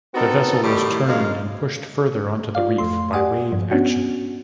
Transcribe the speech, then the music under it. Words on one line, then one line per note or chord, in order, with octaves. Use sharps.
The vessel was turned and pushed further onto the reef by wave action.
B3 C4 D#4 F#4 A4 A#4
A2 D#3 G3 A3 G4
F#2 D#3 G#3 F5
F4 D5 F5
F2 A3 C6
G4 D5 F#5 G#5 D#6
G2 F3
B3 C#4 D4 F#4